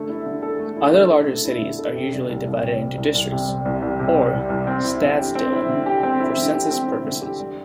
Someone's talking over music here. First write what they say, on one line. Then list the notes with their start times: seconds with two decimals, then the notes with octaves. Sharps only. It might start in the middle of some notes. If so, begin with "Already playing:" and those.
Other large cites are usually divided into districts, or stadsdelen, for census purposes.
Already playing: D3 A3 A4
0.09 E4
0.26 D3
0.42 A4
0.59 A3
0.77 E4
0.94 D3
1.11 A4
1.28 A3
1.45 E4
1.62 D3
1.79 A4
1.95 C3
2.13 G3
2.30 C2
2.47 C2
2.63 C3
2.81 G3
2.97 C2
3.15 C2
3.32 C3
3.48 G3
3.65 C2
3.82 C2
3.99 C3
4.16 G3
4.33 C2
4.50 C2
4.67 C4
4.84 E4
5.01 D3
5.18 G4
5.35 C4
5.52 E4
5.69 D3
5.86 G4
6.03 C4
6.20 E4
6.38 D3
6.54 G4
6.71 C4
6.88 E4
7.04 D3
7.22 G4
7.39 G3